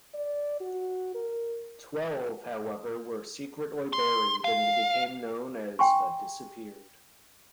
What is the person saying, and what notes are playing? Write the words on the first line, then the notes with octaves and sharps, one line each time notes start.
Twelve, however, were secretly buried and became known as "the Disappeared".
D5
F#4
A#4
C6
F5
G5 G#5 C6 C#6